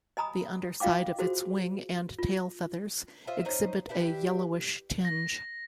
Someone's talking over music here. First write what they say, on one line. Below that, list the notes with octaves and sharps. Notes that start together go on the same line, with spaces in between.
The underside of its wing and tail feathers exhibit a yellowish tinge.
D#5 G#5 A#5 B5 D#6
F4 D#5 F5 G5 D6
F#4 G#4 C5
F4
F4 C5 D#5 E5
C#4 D#4 C5 D#5
D4 E4 G4 B4
A#6